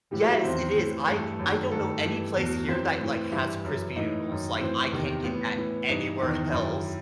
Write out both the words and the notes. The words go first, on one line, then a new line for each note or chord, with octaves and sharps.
Yes, it is. I I don't know any place here that, like, has crispy noodles, like, I can't get that anywhere else.
A2 E3 G3 G4
F#3 F#4
E4 E5
E2 D#3 C4 C5
A2 E3
G2 E3 A3 A4
F#2 D#3
G2 D#3 A3 A4
G2 E3
E2 B2
F#2 E3 C4 C5
A2 E3
G2 E3 E4 E5
F#2 E3
A2 E3 D#4 D#5
F#2 D#3
A2 E3 C4 C5
E2 C3 D#3
A2 E3 B3 B4
A2 E3
G2 E3 D#4
E2 D#3
F#2 D#3 E4